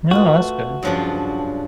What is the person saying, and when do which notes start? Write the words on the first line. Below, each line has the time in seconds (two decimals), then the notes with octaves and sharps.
No, that's good.
0.11 A3 F4 F#4 B4
0.83 G2 C#3 F3 F#3 D4